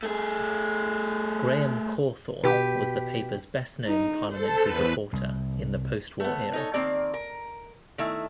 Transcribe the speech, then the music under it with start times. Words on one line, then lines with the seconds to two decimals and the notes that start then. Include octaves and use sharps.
Graham Cawthorne was the paper's best-known Parliamentary reporter in the post-war era.
0.03 A3 G#4
2.44 B2 G4 B4
3.88 D#4
4.32 A4 C5 A5
4.63 E2 B4
5.13 C2
6.20 A3 B3
6.53 D#4 A4 C#5
6.74 D#3 A#3 C4 D5
7.14 A#4
7.98 D#3 A3 E4